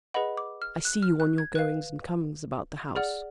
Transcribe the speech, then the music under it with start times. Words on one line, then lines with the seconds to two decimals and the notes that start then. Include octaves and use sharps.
I see you on your goings and comings about the house.
0.14 G#4 B4 D#5 F#5 B5
0.37 D6
0.62 F6
0.85 F#6
1.03 F6
1.20 F#6
1.38 G#6
1.55 B4 F5 F#6
2.96 G#4 D5 F#5 F6